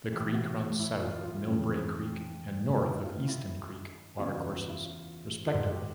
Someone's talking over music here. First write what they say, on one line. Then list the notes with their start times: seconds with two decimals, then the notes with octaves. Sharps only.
The creek runs south of Millbrae Creek and north of Easton Creek watercourses respectively.
0.12 A2 E3 G4
0.34 F#4
0.80 E4
1.02 F4
1.25 F4
1.47 F2 C#3 E3
2.82 G2 D#3 E4
3.06 F4
3.28 E4
4.18 E2 C#3 E3 F4
4.34 F#4
4.52 F4
4.69 E4
4.85 F4
5.47 F4
5.53 G#2 D#3 F#4
5.70 G4